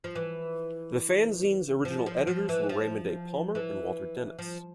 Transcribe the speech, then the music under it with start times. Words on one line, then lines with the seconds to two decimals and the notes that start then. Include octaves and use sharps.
The fanzine's original editors were Raymond A. Palmer and Walter Dennis.
0.04 F3
0.15 E3
1.85 F3
2.06 F3
2.27 F3
2.49 E3
2.69 F3
3.55 E3
4.39 F3